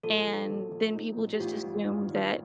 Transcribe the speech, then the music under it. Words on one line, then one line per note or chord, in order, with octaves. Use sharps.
and then people, just, assume that
A#1 A4
A#1
A#1
A#1
D#4
A2
G4
A1 F4
G2
G2
D#3